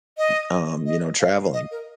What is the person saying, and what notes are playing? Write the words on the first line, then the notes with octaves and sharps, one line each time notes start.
y um, you know, traveling.
D#5
D#5
F5
D#5
A#4